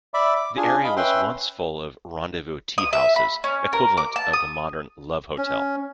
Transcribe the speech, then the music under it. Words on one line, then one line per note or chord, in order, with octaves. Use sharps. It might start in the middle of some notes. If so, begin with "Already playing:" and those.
The area was once full of "rendezvous teahouses", equivalent of the modern love hotel.
D5 E5 B5 D6
D6
D4 F4 G#4 G#5
D#5 F5 B5
C#4 B4 E5 G5 C6 F#6
D#6
E5
B5
C#4
A#4
D6
A5
D#6
C#4